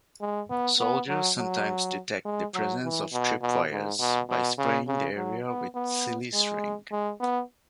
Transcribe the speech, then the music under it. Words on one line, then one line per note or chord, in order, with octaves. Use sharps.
Soldiers sometimes detect the presence of tripwires by spraying the area with Silly String.
G#3
B3
B3
F#3
F#3
G#3
F#3
E3
B2
B2
G#2
B2
B2
C#3
C#3
F#3
B3
B3
G#3
G#3
B3